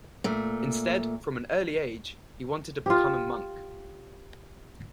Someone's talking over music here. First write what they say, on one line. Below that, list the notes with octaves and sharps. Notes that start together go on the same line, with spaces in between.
Instead, from an early age, he wanted to become a monk.
A#2 A3
F4 G4